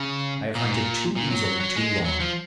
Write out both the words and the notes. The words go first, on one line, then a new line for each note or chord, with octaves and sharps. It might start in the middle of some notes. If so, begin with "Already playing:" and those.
I have hunted too easily too long.
Already playing: C#3
A#2
G#2
A#2
A#2
F#3
F#3
F#3
G#3
F#3
F3